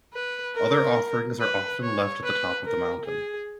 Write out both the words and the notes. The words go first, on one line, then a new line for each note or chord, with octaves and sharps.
Other offerings are often left at the top of the mountain.
B4
A#4
B4
C#5
B4
A#4
G#4